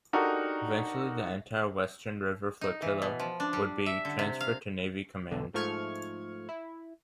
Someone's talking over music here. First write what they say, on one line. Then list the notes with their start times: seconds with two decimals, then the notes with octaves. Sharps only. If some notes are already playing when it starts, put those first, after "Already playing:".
Eventually the entire western river flotilla would be transferred to Navy command.
0.13 D4 D#4 F#4 G4 A4 A#4
2.61 D#4
2.82 E3
3.02 B2
3.20 F3
3.40 D4
3.53 G3
3.86 E5
4.05 D3
4.19 C3
4.41 F5
5.31 B1 D3
5.54 G#2 F3 A3 C#6 F6 G#6
6.49 E4